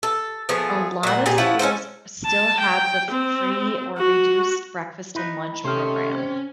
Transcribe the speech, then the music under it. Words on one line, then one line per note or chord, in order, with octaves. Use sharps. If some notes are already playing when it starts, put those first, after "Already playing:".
a lot of schools still have the f free or reduced breakfast and lunch program,
A4
F3 A3 B3 G#4
A#2 F#5
A#2 G4 G#4
F3 C#4 E4 F#5
C#4 D#4 A4 C5
A5
G5
C4
F#4
D#4 E4 B4
C3 D#3 A3 C#4 G4 C5 F6
C4